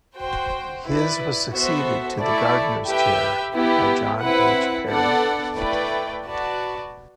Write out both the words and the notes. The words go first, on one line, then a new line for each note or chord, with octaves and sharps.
His was succeeded to the Gardiner's chair by John H. Parry.
F#4 C5 G5
E4 B4 D5
B3 F#4 A4 C5 E5
A3 E4 A4 D5
G4 B4 E5 G5
B3 E4 G4
C4 E4 B4 F#5
B3 D4 A4 D5 F#5
A3 E4 B4 D5 G5
F#4 B4 D5 A5